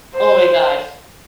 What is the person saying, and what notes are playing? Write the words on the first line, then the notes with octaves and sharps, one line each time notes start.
Oh my gosh.
C5